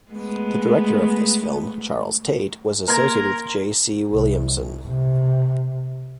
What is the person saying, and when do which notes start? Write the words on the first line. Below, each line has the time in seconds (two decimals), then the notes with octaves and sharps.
The director of this film, Charles Tait, was associated with J. C. Williamson.
0.10 G#3 A3 B3
2.88 A#3 A#4 A#5 C6 G#6
4.12 C2
4.86 C3